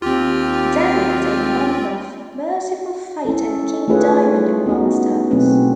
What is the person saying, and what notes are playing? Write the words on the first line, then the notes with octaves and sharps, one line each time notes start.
Denner was a member of Mercyful Fate and King Diamond amongst others.
D#2 C4 F4 G4 F6
C#4 E4 A4
A3 D#4 F4 G#4 B4 C#5
B3 C#4 D#4 F#4
B2 F#3 A3 C4 C#4 B4